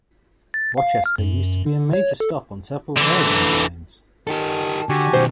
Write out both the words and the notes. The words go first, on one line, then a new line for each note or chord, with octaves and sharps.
Rochester used to be a major stop on several railroad lines.
A6
F5
F6
F#2
D3
C#5
A4
D3 E3
D#3 G4 A4
D3 F#4 G4 G#5
B2 D#3 C5